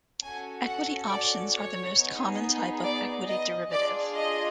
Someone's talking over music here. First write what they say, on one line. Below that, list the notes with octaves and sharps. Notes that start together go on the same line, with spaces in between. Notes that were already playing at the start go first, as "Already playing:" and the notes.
Equity options are the most common type of equity derivative.
C#4 F#4 A4 G#5
F#5
D5
C#5
B3 D#4 G#4
D5
D#5
D4 F4 G#4 D5
D#5